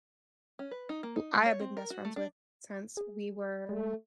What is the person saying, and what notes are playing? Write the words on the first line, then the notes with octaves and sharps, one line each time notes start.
who I have been best friends with since we were,
C#4
B4
D#4
A#3
D#4
G#3
C#5
C4
A#4
F#4
A3
D4
G#4
G#3 A3